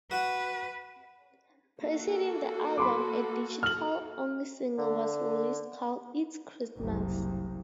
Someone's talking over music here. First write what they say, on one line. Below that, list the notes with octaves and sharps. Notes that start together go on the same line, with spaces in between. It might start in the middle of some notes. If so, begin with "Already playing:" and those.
Preceding the album a digital-only single was released called "It's Christmas".
F#4 B4 F#5
A#3 F#4 A4
B5 C6 D6
F6 F#7
D3
F#1 C2